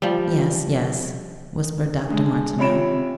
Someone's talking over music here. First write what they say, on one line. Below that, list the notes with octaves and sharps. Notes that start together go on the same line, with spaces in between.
"Yes, yes," whispered Dr. Martineau.
F3 G3
D3 G#3
C3 F4 C#5 B5 D7 E7